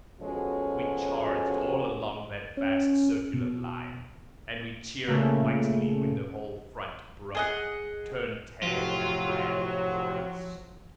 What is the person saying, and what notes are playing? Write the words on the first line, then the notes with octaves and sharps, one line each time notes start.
We charged all along that vast circular line, and we cheered mightily when the whole front broke, turned tail, and ran before us.
B2 F3 G#3 C#4 F#4 A4
C#4
B2
A#2 C#3 A3
G#4 D#5 F#5
A2 C3 F3 F#3 C4 F4